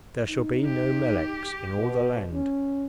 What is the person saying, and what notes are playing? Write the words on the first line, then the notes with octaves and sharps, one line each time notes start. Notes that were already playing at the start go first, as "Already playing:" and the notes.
There shall be no Meleks in all the land.
D#4
G4
B2
C#4